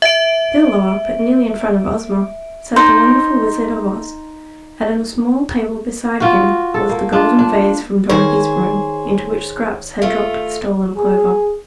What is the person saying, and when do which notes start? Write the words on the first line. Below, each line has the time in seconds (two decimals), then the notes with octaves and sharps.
Still lower, but nearly in front of Ozma, sat the wonderful Wizard of Oz and on a small table beside him was the golden vase from Dorothy's room, into which Scraps had dropped the stolen clover.
0.02 E5 D7
2.76 D#4 C5
6.20 F4 F#4
6.74 A4
6.89 A#3
7.13 D4 F4
7.39 D4
8.09 D#3 G#4 C5 C#5
10.02 A3 F4
10.96 G#4